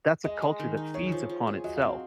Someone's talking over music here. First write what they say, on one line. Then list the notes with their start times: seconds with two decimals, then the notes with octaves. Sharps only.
that's a culture that feeds upon itself.
0.24 G#3 D#5
0.42 G#3
0.60 D#3
0.77 D#4
0.94 G#4 C#5
1.12 F3
1.29 F3
1.47 G#4
1.64 F#3 D#5
1.76 F5
1.82 C4
1.88 F#4